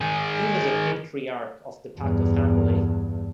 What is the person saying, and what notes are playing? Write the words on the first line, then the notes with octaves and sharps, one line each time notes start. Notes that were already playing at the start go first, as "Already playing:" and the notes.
He was a patriarch of the Packer family.
D#3 G#4
E2 G2